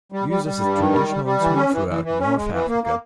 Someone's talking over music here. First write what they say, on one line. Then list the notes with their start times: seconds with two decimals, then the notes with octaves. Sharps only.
Used as a traditional instrument throughout North Africa.
0.12 G3
0.28 G3
0.44 G3
0.60 G2
0.76 D#3
0.92 G3
1.08 G3
1.24 G3
1.40 E3
1.56 C#4
1.72 E3
1.88 E3
2.04 E3
2.20 C#4
2.35 G#3
2.52 E3
2.68 A#3
2.84 A#3